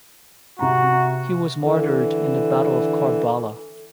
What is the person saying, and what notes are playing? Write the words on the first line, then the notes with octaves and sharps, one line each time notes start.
He was martyred in the Battle of Karbala.
C3 F#4 A#5
D3 E3